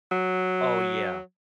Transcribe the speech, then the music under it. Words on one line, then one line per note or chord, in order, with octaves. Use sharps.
Oh, yeah.
F#3